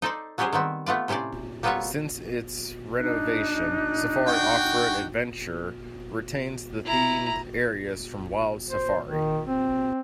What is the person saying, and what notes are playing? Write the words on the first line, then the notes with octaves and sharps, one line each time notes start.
Since its renovation, Safari Off Road Adventure retains the themed areas from Wild Safari.
D#4 A4 C5 D5
F#3 G3 C#4 G4 G#4 C5
D#3 G3 B3 C4
A3 B3 F4 D5
A2 C3 C#4 C5 D5
G3 A#3 B3 F4 A4 C#5
D4 D#4 F#6
F#4 G5
E4 A#5
C5
D#3
C4